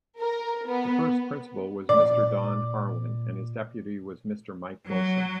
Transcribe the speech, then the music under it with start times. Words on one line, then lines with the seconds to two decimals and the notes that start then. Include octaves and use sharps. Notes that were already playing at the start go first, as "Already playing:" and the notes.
The first Principal was Mr. Don Harwin and his Deputy was Mr. Mike Wilson.
0.18 A#4
0.66 B3
1.89 A#2 D5
4.87 F#3